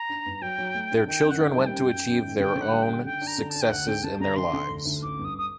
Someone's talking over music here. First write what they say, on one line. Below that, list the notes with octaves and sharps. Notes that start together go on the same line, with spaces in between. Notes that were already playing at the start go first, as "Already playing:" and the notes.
Their children went to achieve their own successes in their lives.
Already playing: A#5
D4
G2
F#3 G5
F#3
A3
D4
D#3 G5
F#2
F#5
D#3
G5
G3 A5
G5
F#2
F#2
F#2
D#3
D3 G5
D3
F#5
G3
G5
D3
D3 G5
D4
A#5
D3
A5
D4
G5
D2 F#5
D3 G5
D3 A5
D3 A#5
D3 C6
D3
D2
D2
A1 D6
G2
D#6
D#6